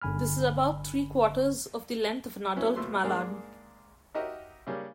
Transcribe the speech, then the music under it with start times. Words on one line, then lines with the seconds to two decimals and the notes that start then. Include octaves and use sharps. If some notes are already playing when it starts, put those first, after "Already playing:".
This is about three-quarters of the length of an adult mallard.
0.02 G1 D3 G#5 B5 F6
2.56 B2 B3 C#4 E4
2.76 D#2 B2 A3 B3 C6
3.03 G#2 A#3 D4 G#4 A#4 F6
4.15 D#4 F#4 G4 A#4 D#5 E5
4.67 C#3 G3 A#3 C#4 D4